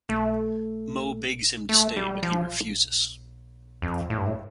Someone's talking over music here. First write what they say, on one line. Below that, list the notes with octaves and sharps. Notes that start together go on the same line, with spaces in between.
Mo begs him to stay but he refuses.
A3
A3
G3
F3
F2
A2
G2
A2